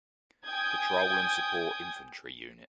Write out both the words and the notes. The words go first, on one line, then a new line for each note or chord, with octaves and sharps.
Patrol and support infantry unit.
G5 G#5 D#6 G6 G#6